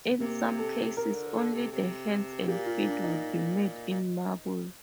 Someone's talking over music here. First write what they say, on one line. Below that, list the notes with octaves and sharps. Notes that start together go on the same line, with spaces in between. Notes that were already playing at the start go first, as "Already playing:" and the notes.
In some cases, only the hands and feet would be made in marble.
C3 A#3
A4
C3 A#4
C3
D3
D3 A4
C3
C3
A#2 G4
F4
D4
D#4
A#2